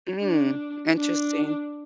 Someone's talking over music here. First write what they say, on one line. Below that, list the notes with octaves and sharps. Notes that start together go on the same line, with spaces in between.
Mm, interesting.
D4
D4